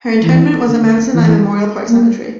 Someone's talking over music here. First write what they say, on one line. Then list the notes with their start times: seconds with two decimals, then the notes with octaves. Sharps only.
Her interment was at Mount Sinai Memorial Park Cemetery.
0.24 E3
0.69 D3
1.15 E3
1.89 A#3